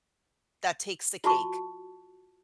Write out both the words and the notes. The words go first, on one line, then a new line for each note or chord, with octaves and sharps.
that takes the cake,
F4 F#4 A5 C#6